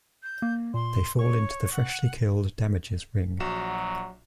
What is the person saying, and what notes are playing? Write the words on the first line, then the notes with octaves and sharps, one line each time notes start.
They fall into the freshly killed Damage's ring.
G6
A#3
A#2 C6
C#5 C#6
F#5
A#1 F#3 F#4 E7